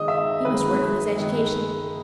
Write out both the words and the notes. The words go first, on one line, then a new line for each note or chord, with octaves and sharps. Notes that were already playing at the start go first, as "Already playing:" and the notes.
He must work on his education.
Already playing: D#3 G#3 D#5
E5
D#3 G#3 B4
D#3 G#3